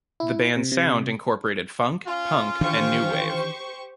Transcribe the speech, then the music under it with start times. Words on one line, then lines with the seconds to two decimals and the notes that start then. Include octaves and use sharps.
The band's sound incorporated funk, punk, and new wave.
0.20 E4
0.56 C3
0.72 C3
2.07 C#4 F4
2.61 D#3 E3 D4 G4 C5 C#6